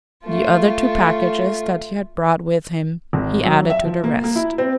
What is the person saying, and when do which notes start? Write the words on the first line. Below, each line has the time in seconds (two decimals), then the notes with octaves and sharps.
The other two packages that he had brought with him he added to the rest.
0.25 A3 F4
3.13 G#1
3.44 F#3
3.70 E5
3.85 F3
4.04 A#3
4.24 A#3
4.35 E4
4.58 C4